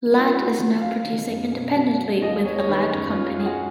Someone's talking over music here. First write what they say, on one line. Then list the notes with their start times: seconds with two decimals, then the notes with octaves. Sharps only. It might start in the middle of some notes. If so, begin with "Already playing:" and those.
Ladd is now producing independently with The Ladd Company.
0.11 G#3 F4
0.19 D#4
0.27 F4
0.34 G#3
0.46 F#4
0.58 C#4
0.81 F#3 F5
1.05 D#3
1.28 F#2
1.52 B2
1.75 F#3
1.99 F#3
2.22 D#2 D#5
2.45 B3 C#5
2.58 C#5
2.69 D#3 B4
2.92 F#2 C#5
3.10 F4
3.16 F#2
3.28 F4
3.39 G#3 G#4
3.46 F#4